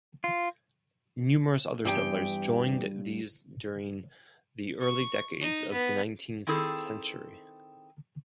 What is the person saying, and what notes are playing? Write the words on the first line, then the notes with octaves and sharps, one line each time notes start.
Numerous other settlers joined these during the early decades of the nineteenth century.
F4
E2 G2 G4 G5
C#6
D#4
B3
D#3 C4 E4 G#4 A4